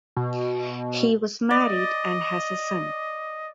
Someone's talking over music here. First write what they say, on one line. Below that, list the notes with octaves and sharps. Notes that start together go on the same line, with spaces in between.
He was married and has a son.
B2
D5 D#5